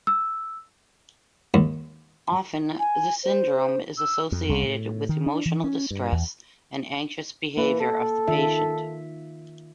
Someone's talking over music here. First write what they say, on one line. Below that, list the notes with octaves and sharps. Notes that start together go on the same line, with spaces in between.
Often, this syndrome is associated with emotional distress and anxious behaviour of the patient.
E6
D#2
G#5
C5
E6
F2
C2
A2
D#3
D4
E3
C#4
G2
E2
E3 A#3
A4
D#3 F4 E5